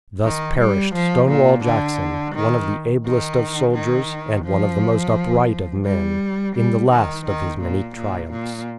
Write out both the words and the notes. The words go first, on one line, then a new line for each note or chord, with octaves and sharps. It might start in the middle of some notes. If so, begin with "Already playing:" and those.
Thus perished Stonewall Jackson, one of the ablest of soldiers and one of the most upright of men, in the last of his many triumphs.
D#3
G3
F3
A#2
D3
D#3
D#3
D#3
F3
G3
G3
D#3
D#3
A#2
A#2
A#2